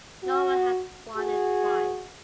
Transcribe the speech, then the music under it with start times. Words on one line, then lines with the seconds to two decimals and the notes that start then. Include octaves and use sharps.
No one has won it twice.
0.24 F#4
1.16 F#4 G#4